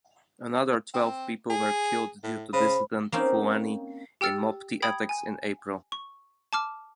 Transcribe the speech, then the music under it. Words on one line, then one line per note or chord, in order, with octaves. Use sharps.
Another twelve people were killed due to dissident Fulani in Mopti attacks in April.
C4
G#4
A2
C#3 C5 B5
A#3 C4 C#4 D#4
G4 G5 E6 F6 A6 C#7
G5 B5 D#6 G#6
G#5
C#6
A5 D6 F6